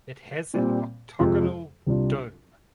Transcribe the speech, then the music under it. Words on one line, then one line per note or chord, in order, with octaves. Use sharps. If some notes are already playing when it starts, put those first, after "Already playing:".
It has an octagonal dome.
A#2 G3 C4
F2 C3 F3 G#3
C2 C3 G3 D4 F4